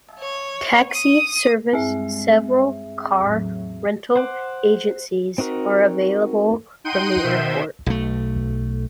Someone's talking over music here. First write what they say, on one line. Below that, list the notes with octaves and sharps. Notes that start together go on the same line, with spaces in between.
Taxi service several car rental agencies are available from the airport.
C#5
D#6
G2 G#3 C4 G#4 E5
E2 A2 F#3
C5 F#5 D6
C4 D#4 F#4 A#4
D#4 F#5 G5 C6 G6 D#7
B2 D#3 C5 E5
B1 A3